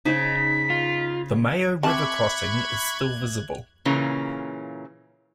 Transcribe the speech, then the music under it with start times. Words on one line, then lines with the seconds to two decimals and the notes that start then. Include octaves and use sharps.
The Mayo River crossing is still visible.
0.05 C#3 D#4 G#4 C5 B6
0.70 F4
1.83 C4 E5 A5 B5 C#6 D6 F#6 G#6
3.85 A#2 C#3 E3 A#3 C#4